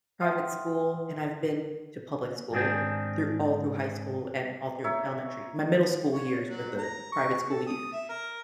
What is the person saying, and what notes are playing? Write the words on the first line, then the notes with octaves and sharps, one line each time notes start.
private school, and I've been to public school through all through high school and all through elementary. My middle school years were the private school years.
E5 F#5 G5 C6 D#6 F6
G#2 D#3 C4 D4 G#4
D#4 C#5 E5
C#5
F#3
A#5
C#6
A4
D#6
E5
A#4